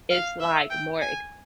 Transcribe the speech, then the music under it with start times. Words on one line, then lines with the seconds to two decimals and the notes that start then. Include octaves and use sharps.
it's like more
0.11 F5
0.40 E5
0.70 G5
1.01 G#5